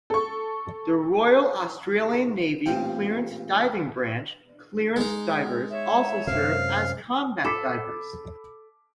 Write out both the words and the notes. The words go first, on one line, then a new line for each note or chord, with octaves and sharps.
The Royal Australian Navy Clearance Diving Branch clearance divers also serve as combat divers.
A4 C#6
A1 G2 A#2 C4 G4
G#3 D#4
C#5 E5
F#2 C3 F5
A4 B5 D6 B6